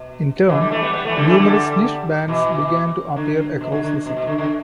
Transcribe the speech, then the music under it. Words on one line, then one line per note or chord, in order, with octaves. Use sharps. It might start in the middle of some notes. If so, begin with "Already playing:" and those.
In turn, numerous niche bands began to appear across the city.
Already playing: B2
B2 E3
D3 G3
E3 A3
G3 B3
G3 B3
E3 A3
D3 G3
E3 A3
D3 G3
B2 E3
D3
B2
D3
D3
B2
B2
D3
D3